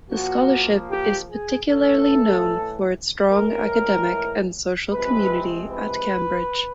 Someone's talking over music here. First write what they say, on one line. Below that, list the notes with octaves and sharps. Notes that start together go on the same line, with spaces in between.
The scholarship is particularly known for its strong academic and social community at Cambridge.
A#2 F3 A#3 F#4
G4
G#4
A2 E3 A3 A4
A2 E3 G#3 A#4
C2 C3 F3 G#3 C4 B4
B4